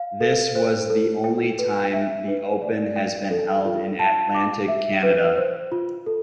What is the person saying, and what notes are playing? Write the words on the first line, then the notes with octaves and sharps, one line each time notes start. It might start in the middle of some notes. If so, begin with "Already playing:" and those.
This was the only time the Open has been held in Atlantic Canada.
Already playing: F5
A4
C5
A4
G5
B4
E5
B4
D5
G5
A4
F4
A5
D6
E5
B4
C5
F4
A4